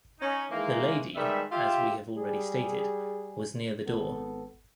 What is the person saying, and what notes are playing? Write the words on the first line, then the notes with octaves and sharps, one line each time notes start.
The lady, as we have already stated, was near the door.
C#4 D#4
D#3 E3 G#3 A#3
D#3 G3 G#3 B3 E5
F4 G4 E5
G3 G#4
G#1 B3 A4